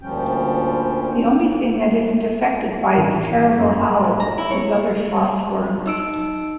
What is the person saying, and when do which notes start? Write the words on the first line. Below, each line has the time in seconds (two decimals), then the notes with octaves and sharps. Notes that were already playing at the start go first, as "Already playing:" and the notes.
The only thing that isn't affected by its terrible howl is other frost worms.
0.02 D2 A#2 F3 G3 C#4 G5
2.97 A1
3.58 F#2
4.04 A2
4.20 A#5
4.38 E4
4.51 C#5
5.86 D#4 E6 D7